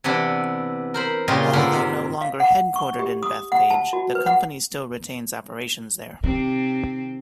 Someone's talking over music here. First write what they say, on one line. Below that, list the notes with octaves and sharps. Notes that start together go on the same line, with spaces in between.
Although no longer headquartered in Bethpage, the company still retains operations there.
C3 E3 B3 D4
A#4 C5 B5
A#2 C#3 F4 G4 D#5 G#5
G#2 D3 B3 D4 A#4
C3
F5
F#5
C#6
G4
D#6
F#5
A5
F#4
B4
F#5
C3 D#3 C4